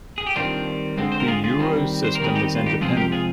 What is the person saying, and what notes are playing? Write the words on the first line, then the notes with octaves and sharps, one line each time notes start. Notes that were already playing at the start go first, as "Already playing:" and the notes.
The Eurosystem is independent.
G#4
G4
D#3 G3 C4 D4 F4
D3 G#3 C4
C5
A#4
F4 G#4
F4 G#4
D#3 G3 C4
C5
A#4
D#3 G3 C4 G#4
D#4 G4
F4
D#4 G4
C3 F3 G#3 C4 F4 G#4
G4 A#4
F4 G#4